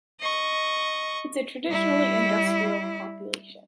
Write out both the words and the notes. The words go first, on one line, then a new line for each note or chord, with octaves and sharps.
It’s a traditionally industrial population.
D#5 C#6
G3 E4